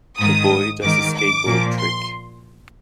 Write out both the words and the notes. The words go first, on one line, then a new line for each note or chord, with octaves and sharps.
The boy does a skateboard trick.
G#2 D#3 D#6
G#2 D#3 D6
D6
A#2 F3
C6